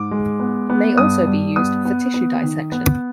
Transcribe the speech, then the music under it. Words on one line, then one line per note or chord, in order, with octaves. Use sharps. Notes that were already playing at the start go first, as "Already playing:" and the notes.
May also be used for tissue dissection.
Already playing: G#2 D6
G#3
B3
B3
G2 D#6
G2
B3 D#6
B3
B3
D#3
B3